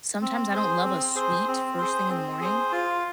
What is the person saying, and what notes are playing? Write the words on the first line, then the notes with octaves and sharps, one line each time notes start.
sometimes I don't love a sweet first thing in the morning,
C4
G#4 C5
C4
G#4 C5
C4
G#4 C5
C4
G#4 C5
F4